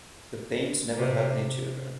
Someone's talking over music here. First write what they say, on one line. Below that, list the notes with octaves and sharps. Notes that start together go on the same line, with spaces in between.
The Paynes never had any children.
C3